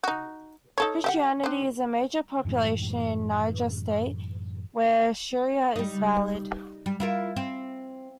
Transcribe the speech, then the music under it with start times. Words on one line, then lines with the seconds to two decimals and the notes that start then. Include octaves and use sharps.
Christianity is a major population in Niger State, where Sharia is valid.
0.04 D#4 F#4
0.78 D#4 A4 C#5
1.04 G4 E5 F#5
1.44 C4 D4
2.45 F#2 A2 E3 G#3
5.76 G3 D#4
6.86 G3
7.00 E4 F4 A#4
7.36 C4